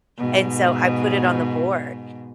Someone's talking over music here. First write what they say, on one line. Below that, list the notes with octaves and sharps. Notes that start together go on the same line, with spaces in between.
And so I put it on the board.
G#2 B2